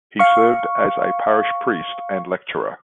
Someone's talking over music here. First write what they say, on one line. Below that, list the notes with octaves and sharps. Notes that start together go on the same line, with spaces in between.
He served asa parish priest and lecturer.
F5 C#6